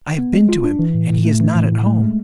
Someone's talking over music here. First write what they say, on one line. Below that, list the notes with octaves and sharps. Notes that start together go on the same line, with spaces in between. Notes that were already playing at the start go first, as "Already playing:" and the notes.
'I have been to him, and he is not at home.
B3
G#3
F4
D4
E3
A2
A2
A3
E3
A2
A2
A3
G#3